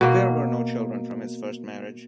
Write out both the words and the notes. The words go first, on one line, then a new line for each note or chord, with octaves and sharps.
There were no children from his first marriage.
B2 A#3